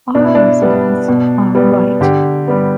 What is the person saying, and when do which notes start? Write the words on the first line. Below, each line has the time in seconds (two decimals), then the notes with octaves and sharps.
All residents are white.
0.14 B2 D4
0.24 E4
0.35 D4
0.62 G3 B3
1.08 B2
1.55 G3 B3
2.01 D3 G4
2.47 G3 B3